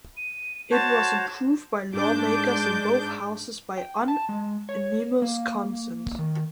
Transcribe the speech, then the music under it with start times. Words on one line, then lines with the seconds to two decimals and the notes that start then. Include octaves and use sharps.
It was approved by lawmakers in both houses by unanimous consent.
0.17 D#7
0.71 F#4 C5 C#5 A5
1.92 G#2 G#3 D4 D6 G6
3.78 G5
4.08 A5
4.29 G#3
4.69 C#5
5.22 A#3
6.19 D#3